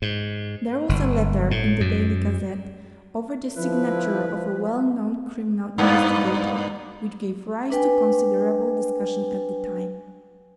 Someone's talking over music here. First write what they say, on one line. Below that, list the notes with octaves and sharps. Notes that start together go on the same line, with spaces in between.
There was a letter in the Daily Gazette, over the signature of a well-known criminal investigator, which gave rise to considerable discussion at the time.
G#2
G1
A2
F#2
D3 F3 E4 B4
G2 A#3 B3
D4 B4 G5 G#5